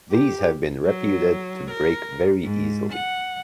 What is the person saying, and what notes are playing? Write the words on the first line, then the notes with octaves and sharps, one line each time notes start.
These have been reputed to break very easily.
G4
F#3
A#4
G#2
F#5